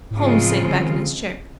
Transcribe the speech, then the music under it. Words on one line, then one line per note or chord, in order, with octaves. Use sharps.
Holmes sank back in his chair.
A2
G#2 C#3 F3 G#3 C4 F4
A2
D3
D#3
D3